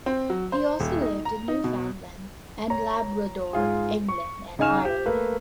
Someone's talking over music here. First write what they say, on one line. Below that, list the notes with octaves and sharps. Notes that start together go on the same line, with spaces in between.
He also lived in Newfoundland and Labrador, England, and Ireland.
C4
F#3
C5
D#1
D#4
A#5
D#4
B2
C#5 A#5
G#2 F4 G#4
C#6
C#3 D#4 D#5 G#5 F6 E7
G4
A3 A#3 B4